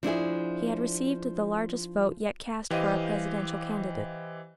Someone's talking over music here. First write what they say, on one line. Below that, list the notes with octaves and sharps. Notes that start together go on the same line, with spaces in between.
He had received the largest vote yet cast for a presidential candidate.
F3 D4 E4 G#4
E3 G4 C5 D#5 F5 D#7